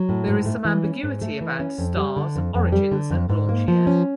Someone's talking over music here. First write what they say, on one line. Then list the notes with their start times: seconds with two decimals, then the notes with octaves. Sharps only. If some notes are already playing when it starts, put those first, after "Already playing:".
There is some ambiguity about "Star"s origins and launch year.
Already playing: F#3
0.09 A2
0.28 G#2
0.46 A3
0.65 E3
0.84 C#4
1.03 G#2
1.22 A3
1.41 E3
1.60 C#4
1.78 F2
1.97 G3
2.16 D3
2.36 F2
2.55 F2
2.72 G3
2.91 D3
3.10 F2
3.29 G#2
3.49 A#3
3.68 F3
3.87 C#4